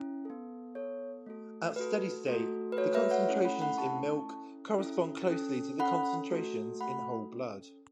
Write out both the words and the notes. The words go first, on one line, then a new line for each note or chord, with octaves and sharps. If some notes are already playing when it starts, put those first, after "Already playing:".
At steady-state, the concentrations in milk correspond closely to the concentrations in whole blood.
Already playing: C#4 E4
B3 A4
B3 A4 C#5
A3 F#4 A4
A3 F#4 A4 B4
A3 F#4 A4
B4
A3 F#4 A4 C#5
B4 E5
C#5 F#5
A3 C#4 E4 A4
F#5 B5
F#5 B5
A3 C#4 E4 A4 A5 C#6
C#4 E4 A4
C#4 E4 A4
C#4 A4
C#4 A4 F#5 B5
A3 F#4 A4
A3 F#4 A4 F#5 B5
C#4 A4